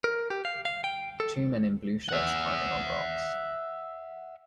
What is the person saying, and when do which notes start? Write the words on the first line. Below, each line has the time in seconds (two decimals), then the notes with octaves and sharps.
Two men in blue shirts climbing on rocks.
0.04 A#4
0.30 G4
0.45 F5
0.65 F5
0.84 G5
1.20 A4
2.09 E5 F#5